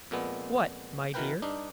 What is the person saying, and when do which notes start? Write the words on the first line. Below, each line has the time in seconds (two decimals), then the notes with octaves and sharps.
"What, my dear?"
0.11 F2 A#2 G#3 B3
1.14 B2 E3 A#4 B4 G5
1.42 G2 D4 D#4